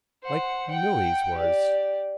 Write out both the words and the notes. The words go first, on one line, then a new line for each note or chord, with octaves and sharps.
Like Milly's was.
C5 F#5
F#5 G5
G4 D5